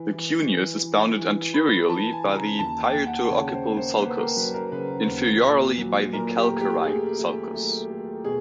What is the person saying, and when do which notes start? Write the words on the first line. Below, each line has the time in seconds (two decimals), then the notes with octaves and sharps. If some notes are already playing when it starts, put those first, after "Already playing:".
The cuneus is bounded anteriorly by the parieto-occipital sulcus, inferiorly by the calcarine sulcus.
Already playing: E3
0.12 E3
0.48 E3
0.82 E3
1.17 E3
1.53 E3 B5
1.89 E3 A5
2.12 G#5
2.24 C#3
2.36 A#5
2.59 D#2 A5
2.83 G5
2.94 D#2
3.07 F#5
3.30 C#3 C#5
3.54 C5
3.65 A#3
3.77 C5
4.01 A#3 B4
4.19 A#4
4.37 F#3 B4
4.54 A#4
4.72 C#3 B4
5.07 D#2
5.42 A#2
5.78 F#3
6.13 A#2 A#4
6.36 G4
6.48 A3
6.60 G4
6.84 A3 G#4
7.19 A3
7.54 A3
7.90 A3
8.24 B2 G#4